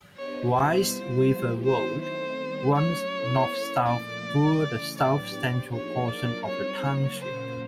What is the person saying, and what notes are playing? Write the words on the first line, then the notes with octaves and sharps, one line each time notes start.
Rice River Road runs north-south through the south-central portion of the township.
B3 D4 G4 C5 C#5 D#5
B2 G3 B3 E4 C5
G3 C4 F4
F3 G#3 B3 E4 G4
D#3 F#3 B3 E4 C5
A3 C4 D#4 C5
D#3 G3 B3 D#4
F#3 A3 C#4 C#5
F#3 B3 E4 A4 C5
A#3 C#4 E4
A#2 F3 A3 D5
C#3 E3 G3
C#3 E3 A3
A2 F#3 B3 D4 G4 D5
B3 D4 G4 C5
F3 A#3 D#4 G#4 C#5
F#3 A#3 D4 F4 A#4 D5
G3 C4 D#4 G#4 C#5
C#3 F#3 A#3
A#2 F#3 A#3 C#4 C5